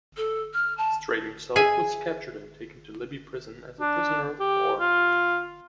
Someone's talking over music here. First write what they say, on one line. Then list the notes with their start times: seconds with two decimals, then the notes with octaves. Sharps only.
Streight himself was captured and taken to Libby Prison as a prisoner of war.
0.17 A4
0.54 F6
0.78 A5
1.56 G#4 E5 G#5
3.80 D4
4.40 G4
4.80 F4